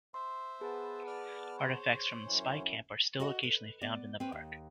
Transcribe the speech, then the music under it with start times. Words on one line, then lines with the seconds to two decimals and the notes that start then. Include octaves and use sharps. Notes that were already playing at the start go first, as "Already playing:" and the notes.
Artifacts from the spy camp are still occasionally found in the park.
0.14 C5 E5 C6
0.61 B3 G#4 B4 A5
1.07 D5 F6
1.58 C5 C#5
2.24 F#2 E3 C#4
3.20 F#4 A4 D#5 F#5
3.43 B4
3.81 B3 D5
4.20 C4 B4
4.32 D#2